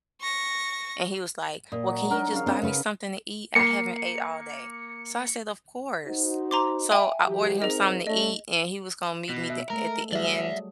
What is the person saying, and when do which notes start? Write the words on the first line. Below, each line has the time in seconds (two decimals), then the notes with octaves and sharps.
and he was like, "Well, can you just buy me something to eat? I haven't ate all day." So I said, "Of course." So, I ordered him something to eat, and he was gonna meet me the at the end,
0.21 C#6 A#6
1.72 A#2 D#5
1.88 F#3
2.10 F#3 D4 D#4 A#4
2.32 C#3 F5
2.46 C4 D4
2.63 C#3 C#4 B4
3.55 A#3 C7 C#7
6.06 D#4 F#4 C5
6.51 A#5 C6 D6
6.91 E5 G5 G#5
7.26 E3 F#3 G4
7.62 C4 D#4 G#4 A#4 D#5
8.07 A3 C#4 D4 D#5
9.29 B2
9.50 E5
9.70 G#3 A3 A#4
10.12 F#3 G3 G#4 D5 E5